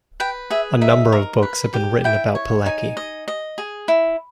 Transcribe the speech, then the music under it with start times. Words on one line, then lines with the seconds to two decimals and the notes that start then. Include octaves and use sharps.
A number of books have been written about Pilecki.
0.20 B4 G5
0.50 G#4 E5
0.81 D#4 E5
1.12 A#4
1.43 B4
1.74 G4
2.04 E4 G5
2.35 C#5
2.66 D#4 G#5
2.97 D#5
3.28 D#5
3.58 G#4
3.88 E4